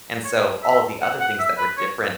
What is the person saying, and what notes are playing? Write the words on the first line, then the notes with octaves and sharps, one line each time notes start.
and so all of the other things that were different
C#5
E5
F#5
F#5
E5
B4
C#5